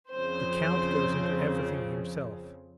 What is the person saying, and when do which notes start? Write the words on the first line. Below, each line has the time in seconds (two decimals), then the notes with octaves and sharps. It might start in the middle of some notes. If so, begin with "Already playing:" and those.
The count goes into everything himself.
0.11 F2 C#3 F3 C4 C5